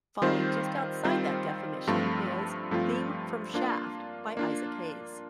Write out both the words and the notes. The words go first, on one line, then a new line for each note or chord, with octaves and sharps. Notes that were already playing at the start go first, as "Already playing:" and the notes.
Falling just outside that definition is "Theme From Shaft" by Isaac Hayes.
D#3 G3 C4 F4 C5
D#3 G3 C4 F4 C5
G2 F3 A3 C4 F4
G2 F3 A3 C4 F4
A#3 D4 F4
A#3 D4 F4